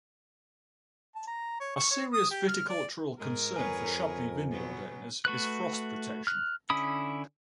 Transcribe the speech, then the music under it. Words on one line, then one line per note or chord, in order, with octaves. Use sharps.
A serious viticultural concern for Chablis vineyard owners is frost protection.
A5
A#5
C#5
C#6
C#5
D#6
G4
F6
D5
G#2 G#3 A#4
F2 G#4 B4 C#5 G#5
B2 F#3 B3
A3 F#4 B4 F#6
F6 F#6
D3 C#4 E4 B5 D#6